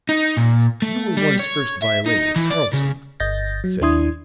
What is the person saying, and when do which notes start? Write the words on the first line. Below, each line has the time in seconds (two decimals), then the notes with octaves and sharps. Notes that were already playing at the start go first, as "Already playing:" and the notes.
"You were once first violin with Karlson," said he.
0.09 D#4
0.37 A#2
0.82 A3
1.17 G3
1.39 C#5
1.82 E5
2.06 D#4
2.36 E3
2.50 D5
2.73 C#3
3.20 G1 D#5 G6 A6 A#6
3.64 F#3
3.81 D#2 D4 E4 C6 D#6 G#6